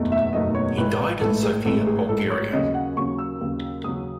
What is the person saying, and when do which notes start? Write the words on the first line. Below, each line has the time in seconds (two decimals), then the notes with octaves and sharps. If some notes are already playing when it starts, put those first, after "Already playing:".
He died in Sofia, Bulgaria.
Already playing: F#1 E2 B2 A3 D#4
0.12 E5
0.33 F#1 E2 B2 A3 D#4 D#5
0.55 C#5
0.77 A1 G#2 E3 A3 B4
1.21 A1 G#2 E3 A3 A4
1.43 G#4
1.65 A1 G#2 E3 A3 A4
1.87 G#4
2.09 A1 G#2 E3 A3 A4
2.30 C#5
2.53 D#2 C#3 F#3 C#4 D#5
2.74 F#5
2.97 D#2 C#3 F#3 C#4 C#6
3.18 E6
3.41 D#2 C#3 F#3 C#4
3.84 D#2 C#3 F#3 C#4 D#6